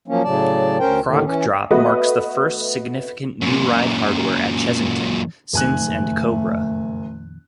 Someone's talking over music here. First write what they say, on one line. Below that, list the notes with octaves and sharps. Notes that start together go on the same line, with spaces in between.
Croc Drop marks the first significant new ride hardware at Chessington since and Kobra.
F3 F#3 A#3 C#4
A2 C#3 F#3 D5 A5
D2 C#4 A#4 C5 G5
D#2 A2 D3 D#3
E3 C#4
A3 B3 F#4 B4 D#5
F#2 A#2
F#1 F2 A#2 D#3 A3 G#5 F#6